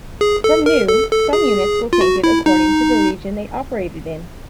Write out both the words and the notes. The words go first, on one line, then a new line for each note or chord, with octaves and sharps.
From new, some units were painted according to the region they operated in.
G#4
A4
A#4
A4
A4
G#4
F4
F#4
E4
D#4